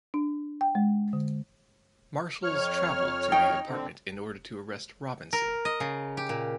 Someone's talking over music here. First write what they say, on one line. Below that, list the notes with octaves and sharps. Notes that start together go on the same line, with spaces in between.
Marshals traveled to the apartment in order to arrest Robinson.
D4
G5
G#3
D3
F2 C#5 F6
D#4 G5
D3 C4
A#4
D#5
C#3
G4
A#2